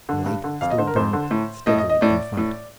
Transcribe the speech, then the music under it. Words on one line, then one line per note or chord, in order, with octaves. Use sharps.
The light still burned steadily in front.
D3
G2
D3
F2 F5
D#5
D3 C5
A#4
F2 C5
D3
A2
A2 D#5
D#5
D#5
A2 D5
A2